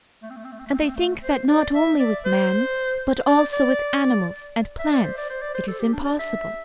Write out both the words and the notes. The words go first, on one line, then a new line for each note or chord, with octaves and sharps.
And they think that not only with man, but also with animals and plants, it is impossible.
A3
C4
A3
C4
A3
C4
A3
C4
A3
C4
A3
C5
D5
E5
D5
C5
D5
D5
E5
D5
C5
D5
C5
D5
C5
A4
G4
D4
D5
E5